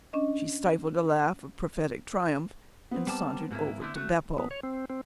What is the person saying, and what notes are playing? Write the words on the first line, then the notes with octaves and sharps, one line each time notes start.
She stifled a laugh of prophetic triumph and sauntered over to Beppo.
C#4 D4 D#5
B3 C4
G3 A#3 A5
G#2 A#3 E4
D3 A3 E4
A3 F#4
B3
C#5
C4
C4